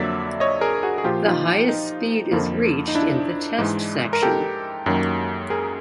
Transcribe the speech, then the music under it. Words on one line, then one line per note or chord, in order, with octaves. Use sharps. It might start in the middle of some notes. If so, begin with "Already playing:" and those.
The highest speed is reached in the test section.
Already playing: F2 D3 F#3 A#3 D5 E5
C#5 D#5
G#4 A#4
F#4 G#4
G#4
A#2 F3 A#3 F4 G4
D#4 F4
D#4
F2 D3 F3 A#3
D#4
D4 E4
G#2 E3 G#3
A#4
G4 A4
F#2 D#3 F#3 A#3
G#4 A#4